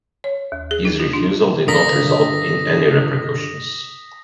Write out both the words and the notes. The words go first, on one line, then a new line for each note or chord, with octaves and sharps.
His refusal did not result in any repercussions.
C#5
D#2
G#4
D#4
F4
D4
G2 D3 F4 A#4 D#6 A#6 B6